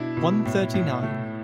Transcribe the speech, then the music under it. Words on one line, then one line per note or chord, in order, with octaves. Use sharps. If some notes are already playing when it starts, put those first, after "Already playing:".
One thirty-nine.
Already playing: B2 D4 E4
B2
A2
A2
A3